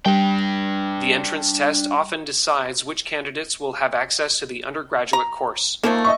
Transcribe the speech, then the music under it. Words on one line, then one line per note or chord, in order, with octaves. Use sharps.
The entrance test often decides which candidates will have access to the undergraduate course.
G3 D4 G5
A#5
D#3 F3 A3 A#3
D#5 E5 C#6